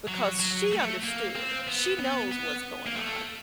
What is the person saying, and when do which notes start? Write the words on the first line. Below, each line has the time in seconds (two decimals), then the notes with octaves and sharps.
Because she understood. She knows what's going on.
0.08 F#3
0.39 F#3
0.71 A3
1.03 A#3
1.35 C4
1.68 B3
1.99 B3
2.32 B3
2.86 A#3
2.97 A3